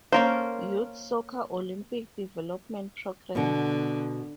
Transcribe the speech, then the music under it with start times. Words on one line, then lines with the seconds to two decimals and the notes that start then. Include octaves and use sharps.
Youth Soccer Olympic Development Program.
0.12 A#3 C#4 A4 A#4 C5
3.35 B2 D3 B3